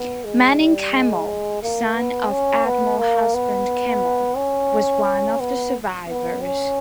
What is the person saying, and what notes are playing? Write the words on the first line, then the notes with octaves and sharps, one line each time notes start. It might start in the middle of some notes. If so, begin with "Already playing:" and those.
Manning Kimmel, son of Admiral Husband Kimmel, was one of the survivors.
Already playing: B3
G#3
G3
G#3
A#3
B3
C#4
B3
A#3
B3
C#4
B3
B3
C#4